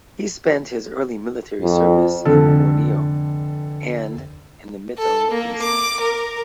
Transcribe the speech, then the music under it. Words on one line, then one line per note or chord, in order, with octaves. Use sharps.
He spent his early military service in Borneo and in the Middle East.
F2
F1 D3 A4
A4
A#3
D6
A#4